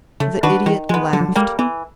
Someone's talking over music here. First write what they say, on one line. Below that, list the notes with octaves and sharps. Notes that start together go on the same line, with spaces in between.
The Idiot laughed.
C#3 A3
D#3 D4 F#4 B4
D#3 E3
F3 G#3 B3
D3 F#3
F3
F#3
G3 G#3 A#3
E3 B3